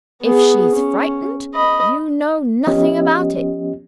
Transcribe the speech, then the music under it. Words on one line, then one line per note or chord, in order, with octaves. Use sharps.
If she's frightened--you know nothing about it.
B3 G#4
C#4
D#5 B5
F3 B3 C#4 G4 D#5